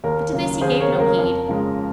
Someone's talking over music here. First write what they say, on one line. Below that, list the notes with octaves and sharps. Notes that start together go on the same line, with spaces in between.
But to this he gave no heed.
D#2 A#4
C#3 F#3 A#3
D#2 G#4 C5
A#4 C#5
C#3 F#3 A#3
A#4
F2
C#3 F3 G#3